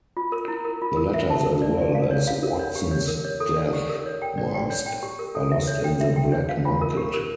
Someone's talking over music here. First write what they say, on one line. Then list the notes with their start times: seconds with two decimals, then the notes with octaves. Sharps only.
The letters as well as Watson's death mask are lost in the black market.
0.17 F4
0.32 A#4
0.48 E4
0.65 A#4
0.82 F4
0.97 A#4
1.14 E5
1.30 A5
1.46 A#4
1.62 D5
1.78 D5
1.95 F5
2.11 C#5
2.27 F5
2.43 A#4
2.59 C#5
2.76 G4
2.91 C#5
3.08 A#4
3.24 C#5
3.40 A4
3.57 D5
3.73 G4
3.90 A#4
4.06 C#5
4.22 G5
4.38 D5
4.54 G5
4.70 C#5
4.86 G5
5.03 G4
5.19 A#4
5.35 A4
5.52 E5
5.67 C#5
5.84 G5
6.01 E5
6.16 G5
6.32 C#5
6.49 F5
6.65 F4
6.81 A#4
6.97 G4
7.14 A#4